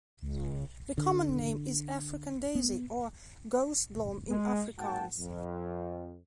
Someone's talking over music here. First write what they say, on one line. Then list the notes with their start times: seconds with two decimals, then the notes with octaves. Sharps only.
The common name is "African daisy", or "Gousblom" in Afrikaans.
0.22 C#2
0.98 D3
2.55 B3
4.30 G#3
4.78 G#2 A#3 F#4 F#5 G5 A5
5.19 F2